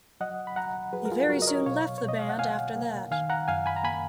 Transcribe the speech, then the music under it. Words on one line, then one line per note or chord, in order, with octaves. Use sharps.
He very soon left the band after that.
F#3 D#5 F#5
B5
F#3 F#5 A#5
F#3 G#4 B4
A#4
F4 G#4
F#3 F#4 A#4
D#5
A#4 C#5
B2 C#5 F5
B2 C#5
D#5
F5
F#5
A#3 F5 G#5
A#3
D#3 F5 G#5
F#5 A#5
F#2 F5 G#5
G#5 B5
A#5
A#3 G#5 B5